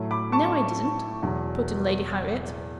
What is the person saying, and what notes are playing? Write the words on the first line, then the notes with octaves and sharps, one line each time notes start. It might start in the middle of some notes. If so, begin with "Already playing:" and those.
"No, I didn't," put in Lady Harriet.
Already playing: A2 F#3 A3
B5 D6
A5 C#6
E2 B2 F#3